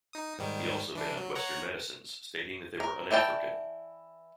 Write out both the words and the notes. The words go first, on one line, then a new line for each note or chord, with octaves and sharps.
He also banned Western medicines, stating that they were un-African.
D#4 D#6
G#2 D#3 G3
E3 D4
F#3
C#5 F#5 A#5
A#4
E3 E4 D5 G5 A5